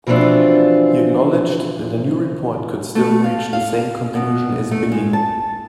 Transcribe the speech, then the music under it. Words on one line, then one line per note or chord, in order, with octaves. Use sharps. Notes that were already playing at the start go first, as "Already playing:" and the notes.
He acknowledged that a new report could still reach the same conclusion as Binnie.
B2 E3 F3 C4 D4 F4
A3
F5
F5
B2
A3
G#3
A5